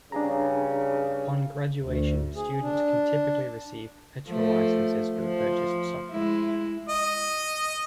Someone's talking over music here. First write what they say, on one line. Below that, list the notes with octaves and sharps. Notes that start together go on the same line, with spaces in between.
Upon graduation, students can typically receive perpetual licenses for the purchased software.
G2 C#3 D4 G#4 A#5
D2
G#4
D4
F3 A3
F3
G#3 E4
D#5